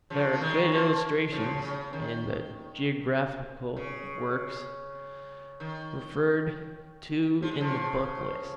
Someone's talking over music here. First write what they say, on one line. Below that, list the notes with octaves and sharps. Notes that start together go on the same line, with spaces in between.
There are good illustrations in the geographical works referred to in the book list.
C#3 F3
A#3
D#3 G#3
F3 A#3
C#3 F3
C#3
D#3
C#3
D#3
F3
G#3
C#3 F3